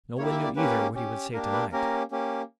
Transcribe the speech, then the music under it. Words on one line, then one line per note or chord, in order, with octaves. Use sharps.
No one knew either what he would say to-night.
A#3 E4 G4 C#5
E5
D5
A#3 C#4 G4 B4
C#4 G4
A#3 D4 G4 A#4
B4
A#3 C#4 G4 A#4
A#3 C#4 G4